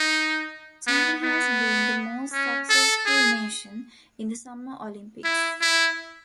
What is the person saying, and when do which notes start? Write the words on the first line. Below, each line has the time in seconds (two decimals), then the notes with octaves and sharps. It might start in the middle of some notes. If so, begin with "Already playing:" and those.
China has been the most successful nation in the Summer Olympics.
Already playing: D#4
0.87 B3
1.23 B3
2.33 C#4
2.69 A4
3.06 G#4
5.24 E4
5.61 E4